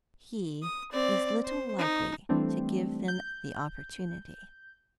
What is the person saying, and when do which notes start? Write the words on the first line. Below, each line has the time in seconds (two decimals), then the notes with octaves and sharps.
He is little likely to give them the opportunity.
0.63 D#6
0.92 C4 D5
1.45 C5
1.78 D#4
2.29 E3 G3 A3 C4 D4
3.08 G6